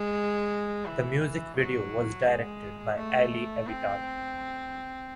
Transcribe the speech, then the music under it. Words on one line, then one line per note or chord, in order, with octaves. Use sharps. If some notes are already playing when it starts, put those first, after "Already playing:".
The music video was directed by Allie Avital.
Already playing: G#3
E3
F#3
G#3
A3
C4